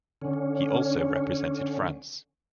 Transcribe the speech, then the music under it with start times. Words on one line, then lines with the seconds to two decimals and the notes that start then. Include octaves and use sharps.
He also represented France.
0.22 D3 C#4